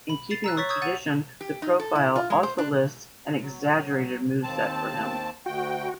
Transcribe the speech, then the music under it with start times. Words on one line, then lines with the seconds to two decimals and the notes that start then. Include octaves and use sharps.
In keeping with tradition, the profile also lists an exaggerated moveset for him.
0.09 B5
0.30 A6 C7 F7
0.44 A#5 E6 F#6
0.57 C#5 C#6 A6 B6
0.69 C#6 D#6 E6 G6 G#6
0.82 F#5 A6 D#7
1.41 G4
1.62 D#4
1.80 A4
1.95 E4
2.16 F4
2.30 G#3
2.43 C5
2.58 D4
3.41 F#3
4.43 D#2 C4 A5
5.46 D2 F#4 G5